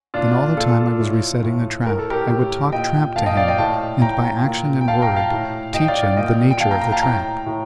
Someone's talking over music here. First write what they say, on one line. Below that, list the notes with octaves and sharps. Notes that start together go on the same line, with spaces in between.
Then all the time I was resetting the trap I would talk trap to him, and by action and word teach him the nature of the trap.
A#2 D4 F4
A#2 F4 A4
A2
A2
A2 A#4
A4
G4 A#4
A2
A#2 D#5 G5
A#2 F5 A5
D#5 G5
D5 F5
D#5 G5
A2 F5 A5
A2 G5 A#5
A#2
G5
A#2 F5 A5
G5 A#5
F5 A5
A2
A2 D#5 G5
D5 F5
D5 F5
A#2 D#5 G5
G5
A#2 F5 A5
G5 A#5
G5 A#5
F5 A5
A2 G5 A#5
A2